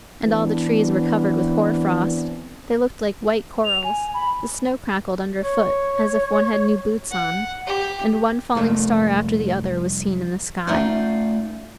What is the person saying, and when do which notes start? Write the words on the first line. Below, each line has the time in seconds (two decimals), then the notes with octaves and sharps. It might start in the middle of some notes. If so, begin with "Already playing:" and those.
And all the trees were covered with hoar-frost; they looked like white corals; the snow crackled under foot, as if one had new boots on; and one falling star after the other was seen in the sky.
0.23 E3 B3 C4 D4
3.65 F7
3.84 G#5
4.14 B5
5.44 C#5
7.10 F#5
7.67 G4
8.55 C2 F2 A3 A#3
10.67 A3 C#4 D#4 F4 D5 F#5